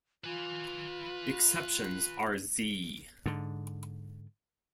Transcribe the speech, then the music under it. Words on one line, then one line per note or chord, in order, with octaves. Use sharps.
Exceptions are z.
F4 B4 G#5
G#2 D3